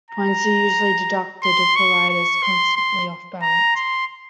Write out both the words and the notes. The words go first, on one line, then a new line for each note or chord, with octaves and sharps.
Points are usually deducted if a rider is constantly off balance.
A#5
C6
C#6
C#6
C6
C6
A#5
C6